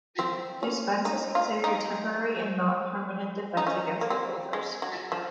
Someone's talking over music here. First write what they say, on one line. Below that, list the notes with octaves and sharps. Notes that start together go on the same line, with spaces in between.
This fence is considered a temporary and not permanent defense against the gophers.
C4
C#4
D#4
F4
D#4
D#4
C#4
A#3
C4
G#3
F#3
F3